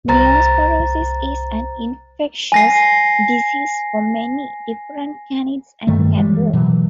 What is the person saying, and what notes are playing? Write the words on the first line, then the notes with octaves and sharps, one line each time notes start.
Neosporosis is an infectious disease for many different canids and cattle.
C2 C5 A#5 A6
G#5 A#6 C7
G2 D#3 G3 A3
E3 G3 G#3
B2 E3 F#3